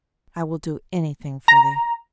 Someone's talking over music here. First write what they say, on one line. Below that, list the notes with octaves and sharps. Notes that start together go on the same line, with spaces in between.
I will do anything for thee.'
A#5